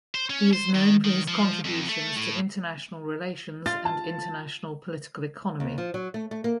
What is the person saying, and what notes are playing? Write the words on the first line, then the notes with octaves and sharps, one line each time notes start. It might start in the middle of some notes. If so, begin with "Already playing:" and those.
He is known for his contributions to International Relations and International Political Economy.
C5
C#4
C5
D#3
D#3
F3
F2
A3
A2
F4 A6
A5
D#2
F3
F#3
A3
A3
A#3